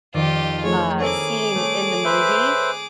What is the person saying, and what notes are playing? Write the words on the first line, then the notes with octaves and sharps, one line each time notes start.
uh, scene in the movie.
F2 D#3 F4 G4 D5
F3 A3 G#4 C#5
A#3 C4 E4 G#4 A4 C#5 D6
A3
B4 C5 E5 G6